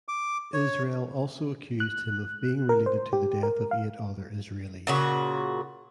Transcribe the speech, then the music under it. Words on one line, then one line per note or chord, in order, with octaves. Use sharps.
Israel also accused him of being related to the death of eight other Israelis.
D6
C#5
F#6
A#4
C5
G4
A#4
F5
A#2 C#3 F#4